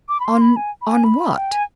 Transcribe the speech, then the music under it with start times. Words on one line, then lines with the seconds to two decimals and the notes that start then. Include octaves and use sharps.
"On--on what?"
0.09 D6
0.20 B5
0.25 C6
0.41 B5
0.56 G#5
0.82 B5
0.88 G#5
1.04 B5
1.36 G5
1.52 G#5